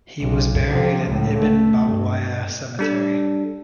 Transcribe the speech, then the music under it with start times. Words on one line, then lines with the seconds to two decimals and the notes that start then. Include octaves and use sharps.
He was buried in Ibn Babawayh Cemetery.
0.20 B1
0.70 C3 F3
1.06 C#2 A2
1.37 A3
1.82 G2
2.79 G3 D4 A4